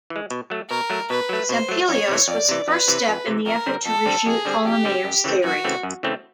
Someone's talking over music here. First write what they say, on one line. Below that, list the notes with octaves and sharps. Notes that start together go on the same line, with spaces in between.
Zampelios was the first step in the effort to refute Fallmerayer's theory.
E3
G#3
B2
F#3 A3
B2 A#4
F#3 A3
B2 B4
F#3 A3
B2 C5
F#3 A3
F2 C#5
C3 E3
F2 D5
C3 E3
F2 B4
C3 E3
F2
C3 E3
F2 A#4
D3 G3 C4
F2 A4
D3 G3 C4
F2 G#4
D3 G3 C4
F2 G4
D3 G3 C4
F#2
C#3 E3 A3 C4
F#2 F#4
C#3 E3 A3 C4
F#2
C#3 E3 A3 C4